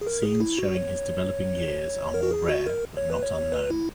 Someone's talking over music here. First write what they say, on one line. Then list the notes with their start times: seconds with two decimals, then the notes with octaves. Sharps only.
Scenes showing his developing years are more rare but not unknown.
0.01 G#4
0.07 A#4
0.23 G#4
0.40 E4
0.58 F#4
0.75 C#5
2.14 A#4
2.23 F#4
2.31 G#4
2.49 F#4
2.66 A#4
2.97 C#5
3.10 B4
3.23 C#5
3.52 B4
3.70 E4